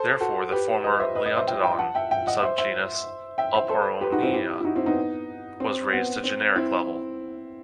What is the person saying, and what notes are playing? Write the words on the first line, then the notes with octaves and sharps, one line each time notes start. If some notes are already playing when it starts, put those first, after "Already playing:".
Therefore, the former "Leontodon" subgenus "Oporinia" was raised to generic level.
Already playing: A4 C5
F#4 A4
G4 B4
B4 D#5
C5 E5
B4 D#5
B4 D#5
C5 E5
E5 G5
E5 G5
F#5 A5
E5 G5
E5 G5
D#5 F#5
C5 E5
C5 E5
E5 G5
C5 E5
A4 C5
G4 B4
D#4 F#4
C4 E4
E4 G4
E4
D#4 F#4
C4 E4
B3 D#4
C4
B3
C4
C4 E4